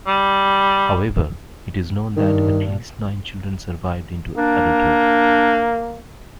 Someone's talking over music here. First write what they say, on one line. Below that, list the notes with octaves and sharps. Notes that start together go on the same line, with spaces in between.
However, it is known that at least nine children survived into adulthood.
G3
G2 D#3
A#3 D4